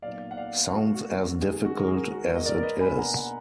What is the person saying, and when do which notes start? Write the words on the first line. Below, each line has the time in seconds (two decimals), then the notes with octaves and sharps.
Sounds as difficult as it is.
0.02 A#2 F#3 B3 D#4 D5 F5
0.31 F#5
0.37 D5 F5
0.72 F#4
0.95 F#4
1.42 D#3 G#3 D#4 G#4
1.65 F#4
1.78 A#4
1.88 G#4
2.11 F#4 A#4
2.36 D#5
2.45 A#4 D5
2.63 B4 D#5
2.80 B2 A#3 D4 G#5 B5
2.98 F#5 A#5
3.16 F#5 A#5